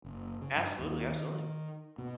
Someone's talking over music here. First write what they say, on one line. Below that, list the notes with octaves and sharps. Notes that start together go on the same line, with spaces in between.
Absolutely, absolutely.
F#1
C#3
G2
D#2
D#3
B2